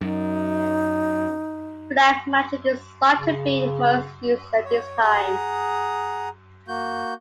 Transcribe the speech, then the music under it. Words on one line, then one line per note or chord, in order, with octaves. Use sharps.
Black magic is thought to be most used at this time.
F#2 D#4
C#3
C#5
G#4 F#5 A#5 D#6
A#3 F#4 G6